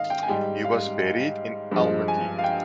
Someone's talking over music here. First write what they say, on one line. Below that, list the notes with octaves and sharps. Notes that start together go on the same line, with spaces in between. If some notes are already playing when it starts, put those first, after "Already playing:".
He was buried in Almaty.
Already playing: G#2 D#3 D#5 F5
G5
G#5
G#2 G3 G5
F5
G2 F3 G#3
G#5
F5
G5